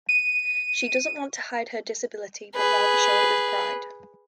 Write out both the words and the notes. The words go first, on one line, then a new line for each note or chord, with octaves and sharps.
She doesn't want to hide her disability but rather show it with pride.
D#7
G#4 B4